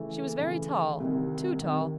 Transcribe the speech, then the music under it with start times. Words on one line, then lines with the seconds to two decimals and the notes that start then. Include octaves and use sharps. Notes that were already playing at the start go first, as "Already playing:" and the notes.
She was very tall--too tall.
Already playing: C#3 E3 A3
0.38 C#3 E3 A3
1.00 C2 C3 D#3
1.60 C2 C3 D#3